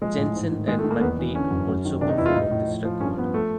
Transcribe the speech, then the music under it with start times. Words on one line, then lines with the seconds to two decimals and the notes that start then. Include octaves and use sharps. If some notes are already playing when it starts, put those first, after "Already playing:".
Jensen and McDade also perform on this record.
0.02 F3 G#3
0.18 A2
0.35 G#2
0.51 D#3
0.68 D#3 G#3
0.79 A3
0.84 D#3
0.91 A#3
1.01 E2 B3
1.19 E3
1.35 D3 C#4
1.51 F#2
1.68 F#2
1.85 D#3
2.01 C3 D4
2.09 D#4
2.18 E2 E4
2.26 F4
2.34 A2 D#4
2.51 A2
2.68 F3
2.85 F3
3.00 G2 C#4
3.17 F3 B3
3.34 A3